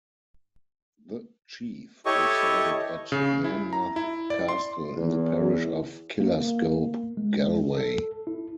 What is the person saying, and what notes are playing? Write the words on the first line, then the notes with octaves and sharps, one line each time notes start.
The chief resided at Menlough Castle, in the parish of Killascobe, Galway.
E4 G4 A4 C#5 D#5 C#6
C#3
E4
A#5
E4
D5
C6
E2
A#3
A#3
G#3
A4
E4